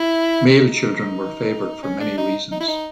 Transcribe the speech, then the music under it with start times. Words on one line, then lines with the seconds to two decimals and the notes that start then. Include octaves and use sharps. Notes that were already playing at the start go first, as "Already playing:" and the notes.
Male children were favored for many reasons.
Already playing: E4
0.47 D#4
1.83 C#4
2.00 D4
2.18 D#4
2.52 D#4
2.60 E4
2.68 D#4